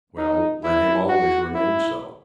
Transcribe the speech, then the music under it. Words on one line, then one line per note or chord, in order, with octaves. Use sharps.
"Well, let him always remain so."
D#4
E4
F#4
E4